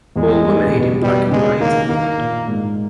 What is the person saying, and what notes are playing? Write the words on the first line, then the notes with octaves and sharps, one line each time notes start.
All were made in black-and-white.
E2 G#3
G2
C#3
B2
B2 G3
C#3 G#3
D#3 A#3
D#3 A#3
A#2
G#2